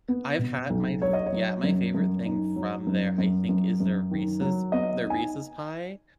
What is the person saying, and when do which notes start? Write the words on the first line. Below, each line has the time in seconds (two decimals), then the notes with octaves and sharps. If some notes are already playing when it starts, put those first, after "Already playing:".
I've had my f yeah, my favorite thing from there, I think, is their Reese's their Reese's Pie.
0.08 B3
0.39 B2
0.70 B1
1.02 F#3 C#5
1.13 D#5
1.26 C#5
1.32 F#3
1.63 F#2
1.95 F#2
2.26 D#4
2.56 F#3
2.87 F#2
3.18 F#2
3.49 F#2
3.80 F#2
4.11 D#3
4.41 F#3
4.72 B3 D#5
5.04 D#4
5.10 G#5